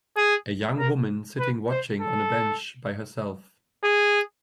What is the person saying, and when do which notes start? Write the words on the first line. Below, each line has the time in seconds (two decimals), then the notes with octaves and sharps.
A young woman sitting watching on a bench by herself.
0.17 G#4
0.79 A#4
1.39 B4
1.70 C5
2.01 A4
3.84 G#4